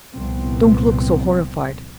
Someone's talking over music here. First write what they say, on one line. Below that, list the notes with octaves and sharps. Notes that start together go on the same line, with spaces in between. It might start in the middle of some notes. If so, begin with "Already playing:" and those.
Don't look so horrified.
C2 A#2 F3 B3 C4